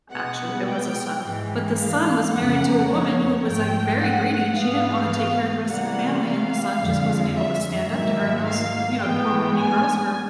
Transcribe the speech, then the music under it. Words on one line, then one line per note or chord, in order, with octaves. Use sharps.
actually, there was a son. But the son was married to a woman who was, like, very greedy, and she didn't wanna take care of the rest of the family, and the son just wasn't able to stand up to her, and those th you know, the poor women and girls were
B2 G#3 B3 F#5
G5
G#2 E3 G#3
F5
F2 C#3 F3 A#3 F#5
C#5
G#2 F3 A3 G5
F#5
G#2 E3 G#3 B3 F5
C3 E3 G3 A#3 F#5
F5
F2 D3 F3 G#3
E5
G#2 D#3 F#3 A#3 E5
F5
A2 E3 G#3 B3 G5
G#5